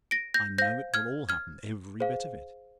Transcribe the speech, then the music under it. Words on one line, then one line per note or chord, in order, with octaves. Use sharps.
I know it will all happen- -every bit of it.
A#6 D7
G6 A#6
C5 F5 G6 A#6
F6 G#6
F6 G#6
G#4 C5 F5